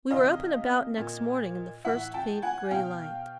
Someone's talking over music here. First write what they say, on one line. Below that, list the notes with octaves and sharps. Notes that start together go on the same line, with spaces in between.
We were up and about next morning in the first faint gray light.
C3 E3 D#5 F5
A#2
A2 E3 E5 F#5
G5 A5
F#5 G#5
B2 F5 G5